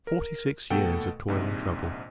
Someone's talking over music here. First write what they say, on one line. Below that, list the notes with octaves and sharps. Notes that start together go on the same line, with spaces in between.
Forty-six years of toil and trouble!
A#4
D#2 B2 A3 A4 F#5 G5
A#1 G#2 C3